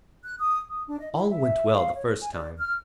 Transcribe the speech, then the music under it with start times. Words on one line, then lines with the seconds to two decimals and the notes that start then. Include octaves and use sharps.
All went well the first time.
0.24 F#6
0.39 D#6
0.70 D#6
0.87 D4
0.99 D#5
1.13 E4
1.31 E5
1.72 F5
1.95 C#5
2.21 G#5
2.34 D5
2.58 F6